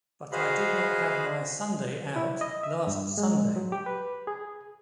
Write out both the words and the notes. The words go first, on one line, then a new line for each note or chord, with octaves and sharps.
But I did not have my Sunday out last Sunday.
F#4 G#4 C5 D#5 F5 B5
E4
D#5
E5
G2
G#3
F#3
G4
B4
G#4